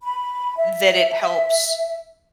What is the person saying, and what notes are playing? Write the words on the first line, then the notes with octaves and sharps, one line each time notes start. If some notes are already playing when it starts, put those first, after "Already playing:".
that it helps
B5
E5